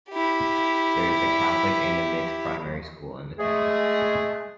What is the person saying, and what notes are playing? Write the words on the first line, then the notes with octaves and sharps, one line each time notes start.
There is a Catholic and a mixed primary school in the town.
E4 G4
G#3 A3 G#4